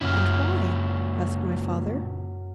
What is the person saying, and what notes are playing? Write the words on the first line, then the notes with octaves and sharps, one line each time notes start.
"And why?" asked my father.
F#2 A#2 C#3 E4 F6